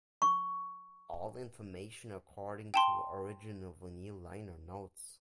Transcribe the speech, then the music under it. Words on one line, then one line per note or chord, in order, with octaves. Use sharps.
All information according to original vinyl liner notes.
C#6
G5 A5 C6